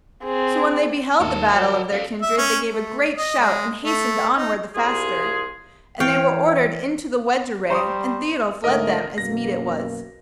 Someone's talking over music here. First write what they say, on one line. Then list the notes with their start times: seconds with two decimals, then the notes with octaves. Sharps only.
So when they beheld the battle of their kindred they gave a great shout and hastened onward the faster; and they were ordered into the wedge-array and Thiodolf led them, as meet it was.
0.24 C4 G#4
1.20 D#2 A#4 A5
1.47 F#3 D#5 F#5 F6
1.92 A4 C5 F5 B6
2.22 E5
2.38 C#4
2.69 A3
3.17 D#5
3.39 G#3
3.83 A3
4.35 D#4
4.75 C2 F4 G4 G#4
6.00 E3 C#5 F5 G5
7.70 G3 C5 A#5 C6 C#6 D#6
8.64 G#2 D3 A3 A#4 D#5
9.18 F#2 B2 A#3 A#6